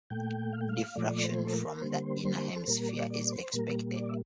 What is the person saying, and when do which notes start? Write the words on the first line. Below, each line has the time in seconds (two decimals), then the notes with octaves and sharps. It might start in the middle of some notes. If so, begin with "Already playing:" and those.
Diffraction from the inner hemisphere is expected.
0.10 A#2 A3 G5
0.53 F5
0.61 G5
0.69 F5
0.96 A#2 F3 A3 D5
1.24 C5
1.45 A4
1.53 A#4
1.81 D3 G3 A#3 C5
2.25 C5
2.56 A4
2.67 A#2 G3 A#3 A#4
2.89 D5
3.10 D5
3.32 C5
3.53 A#2 G3 A#3 A#4
3.96 D5
4.09 E5